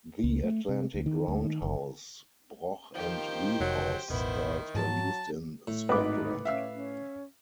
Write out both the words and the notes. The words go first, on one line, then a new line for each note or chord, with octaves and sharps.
The Atlantic roundhouse, Broch and Wheelhouse styles were used in Scotland.
C#2
A3
C3
D2
D#3
D2
D#3
F#1
D#3 F3 G4 C5
F1 F#3
E1 A1 D#3 B3 E4 C5
G#2 F3 F#3 A5
A2
G#1 G#2 D#4 B4 D6
C#4 E5 F5 E6
C#4